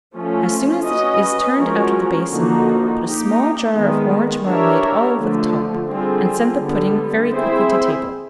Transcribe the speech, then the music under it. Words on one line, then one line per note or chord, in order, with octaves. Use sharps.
As soon as it is turned out of the basin, put a small jar of orange marmalade all over the top, and send the pudding very quickly to table.
F3 A3 C#4 F4
C#4 F#4 B4 D#5
F3 G#3 C#4 F#4 A#4
D3 F3 A#3 D#4 F#4
A#3 D#4 G4
D#3 G#3 B3
D4 G4 A#4 C#5 E5
D3 F3 A3
D3 G3 C4 F4 G#4
D3 G3 B3
C4 E4 G#4 C5 E5